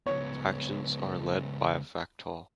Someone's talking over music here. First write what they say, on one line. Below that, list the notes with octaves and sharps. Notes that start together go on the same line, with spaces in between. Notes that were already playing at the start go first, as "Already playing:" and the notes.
Factions are led by a Factol.
C#2 B3 C#5